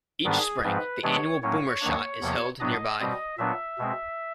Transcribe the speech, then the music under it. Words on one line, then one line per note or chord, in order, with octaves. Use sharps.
Each spring, the annual Boomershoot is held nearby.
G#2 D#3 G3 B3 D4 G#4
G#2 F3 G#3 C4 B4
C3 E3 G#3 B3 D4 C#5
A2 F#3 A#3 C#4 C#5
D#2 D#3 F#3 A#3 D4
E2 C3 F3 A#3
A2 F#3 B3 D4 D#5
B2 G3 C4 D#5
A#2 F#3 B3 D4 E5
B2 G#3 C4